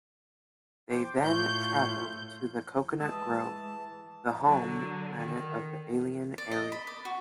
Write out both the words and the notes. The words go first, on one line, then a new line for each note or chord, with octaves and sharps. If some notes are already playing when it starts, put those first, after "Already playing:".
They then traveled to the "Coconut Grove", the home planet of the alien Ariel.
C5 G5 D6
A2 F4 C#5 G6
E3 G#3 G4 A5 D#6 E6
D3 F#3 F#4
D#3
D5
D#5
B5
D5
F#4